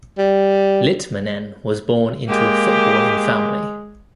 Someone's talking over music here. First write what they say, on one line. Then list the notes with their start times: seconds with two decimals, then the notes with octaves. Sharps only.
Litmanen was born into a footballing family.
0.18 G3
2.28 G#3 A#3 G4